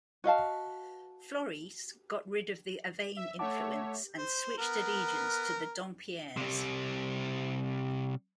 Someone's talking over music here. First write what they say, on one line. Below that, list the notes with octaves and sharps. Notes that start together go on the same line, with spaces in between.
Floris got rid of the Avesnes influence and switched allegiance to the Dampierres.
F#4 D#5 F5 A5
E5
A3 C#5 E5 F#5 A5 D6
C5
B3 A#4
C3 G3